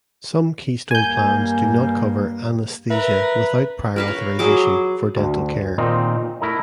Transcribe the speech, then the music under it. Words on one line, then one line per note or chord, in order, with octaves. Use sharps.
Some Keystone plans do not cover "anesthesia without prior authorization" for dental care.
G2 A#3 G#5 G6
A#4 B4 E5
A#4 B4 F5
C#5
F#3 G#4 D6
D2
A#2 D#3 C4 D#4
A3 E4 A#4 D#5